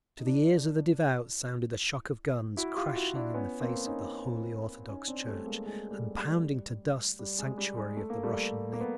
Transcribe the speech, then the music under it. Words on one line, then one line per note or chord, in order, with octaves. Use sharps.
To the ears of the devout sounded the shock of guns crashing in the face of the Holy Orthodox Church, and pounding to dust the sanctuary of the Russian nation....
D#4
D4 E4
E4 F#4
F4 G4
E4 F#4
D4 E4
B3 C#4
A#3 C4
C#4 D#4
C#4 D#4
C4 D4
G3 A3
G#3 A#3
G#3 A#3
G3 A3
G3
G3
G3
G#3
G3
G#3
A3
A#3
G3 A3
A#3
B3